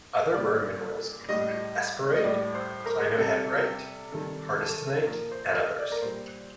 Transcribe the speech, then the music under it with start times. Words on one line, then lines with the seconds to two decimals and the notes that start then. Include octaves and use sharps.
Other rare minerals include esperite, clinohedrite, hardystonite, and others.
0.34 A#2 G3 D5
1.29 A2 G3 D#5
2.16 D#5
2.24 A2 G3 D5
2.55 C5
2.86 A#4
3.18 C3 G3 A4
4.12 C3 D#3 G3 A4
4.59 A4
5.07 A#2 F3 A#4
5.32 C5
5.55 D#5
5.79 D5
5.92 A#4
6.02 A#2 G3 C5